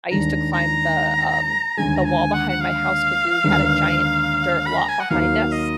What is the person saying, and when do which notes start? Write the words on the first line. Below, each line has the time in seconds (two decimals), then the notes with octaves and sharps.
I used to climb the, um, the wall behind my house 'cause we had a giant dirt lot behind us,
0.11 D#2 D#3 G#3 D4 A#5
0.53 A#5
1.77 D#2 D3 G#3 G#5
1.96 A#5
2.05 G#5
2.33 F#5
2.49 F#5
2.61 F5
3.44 D#2 D3 G#3 B3 D4
4.66 B5
4.77 A#5
4.89 G#5
5.00 F#5
5.10 D#2 D#3 F#3 A#3 D#4 F5
5.52 D#5